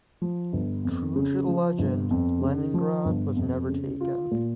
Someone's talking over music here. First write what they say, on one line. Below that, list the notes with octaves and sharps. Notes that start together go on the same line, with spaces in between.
True to the legend, Leningrad was never taken.
F3
G1
F2
C#3
F3
G1
F2
C#3
F3
G1
F2
C#3
F4
A#2